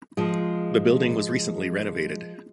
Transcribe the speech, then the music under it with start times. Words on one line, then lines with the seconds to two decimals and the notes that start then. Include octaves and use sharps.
The building was recently renovated.
0.17 F3 G#3